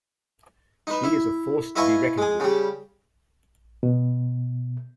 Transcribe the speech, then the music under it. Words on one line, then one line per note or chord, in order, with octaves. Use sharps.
She is a force to be reckoned with.
D#4 B4
E4
E4 B4 D#5 F5 G#5 C#6
G#3 G#4
C#3 G3
B2